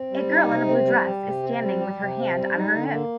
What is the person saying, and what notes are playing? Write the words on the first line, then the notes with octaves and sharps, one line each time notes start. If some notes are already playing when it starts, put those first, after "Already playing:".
A girl in a blue dress is standing with her hand on her hip.
Already playing: C4
G3
D#4
C3
C4
G3
G4
C3
C4
G3
G4
C3
C4
G3
D#4
D3
A#3